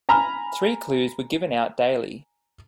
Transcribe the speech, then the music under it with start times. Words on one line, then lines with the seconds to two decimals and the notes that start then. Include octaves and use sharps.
Three clues were given out daily.
0.09 G#5 A#5 B5 F6